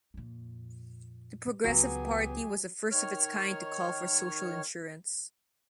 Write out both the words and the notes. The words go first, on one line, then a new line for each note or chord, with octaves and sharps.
The Progressive Party was the first of its kind to call for social insurance.
F2 A#2
C#2 E3 F#3 B3 G4 G#4 G#5
D#3 C#5 F6